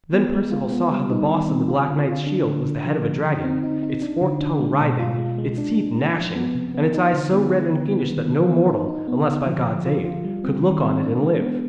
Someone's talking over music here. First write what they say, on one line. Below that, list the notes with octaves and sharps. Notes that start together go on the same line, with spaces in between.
Then Perceval saw how the boss of the Black Knight's shield was the head of a dragon, its forked tongue writhing, its teeth gnashing, and its eyes so red and fiendish that no mortal, unless by God's aid, could look on it and live.
B3
G#3
F4
B3
G3
D#4
D#3
C4
F4
D3
F4
D4
D3
D3
F3
D3
D#4
C4
D#4
D#4
D4
D3
D4
G#3
B2
F4
G#3
G#3
D4
G#3
G#3
F3
B3
C3
B3
D#4
D3
B3
B3
D3
B3
D#3
D#3
B3
D#4
D#4
B3
D3
F3
F3
F4
F4
G3
C4
D#3
C4
D4
G#3
B3